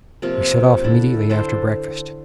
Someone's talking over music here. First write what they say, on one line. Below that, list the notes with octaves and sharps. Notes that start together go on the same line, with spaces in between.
We set off immediately after breakfast.
C3 F3 A#3
D3 E4 A4
D3 A4 C5